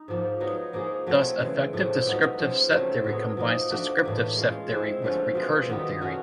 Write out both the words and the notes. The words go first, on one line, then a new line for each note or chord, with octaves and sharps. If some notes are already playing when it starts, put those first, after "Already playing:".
Thus effective descriptive set theory combines descriptive set theory with recursion theory.
Already playing: D#4
G#2 F3 A#3
F#3 B3 D#4
F3 A#3 D#4 G#4
F#3 A3 C4 E4
C#3 E3 G#3
A2 F3 A3 C4
G3 B3 D#4 F#4
F3 G#3 C#4 F4
C#3 F#3 A3 C4
A2 F#3 B3
F3 A#3 D#4
F3 A3 D4 F#4
A2 E3 G3 A#3
G#3 C#4 F4
G#3 C4 E4
D3 F3 A3 C#4
B2 G#3 C4 F4
D#3 G3 B3 D#4
A3 C#4 F#4